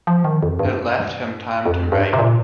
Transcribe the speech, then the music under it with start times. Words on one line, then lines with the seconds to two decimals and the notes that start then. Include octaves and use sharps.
It left him time to write.
0.07 F3
0.25 D#3
0.43 F2
0.59 G2
1.66 F2
1.92 G2
2.13 C3
2.19 A#2